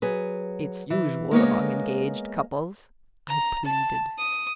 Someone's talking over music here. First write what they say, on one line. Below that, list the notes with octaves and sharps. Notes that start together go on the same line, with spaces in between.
"It's usual among engaged couples," I pleaded.
F#3 G#4 B4
E3
G#3 A#3 B3 C#5
A#5
A5
D#6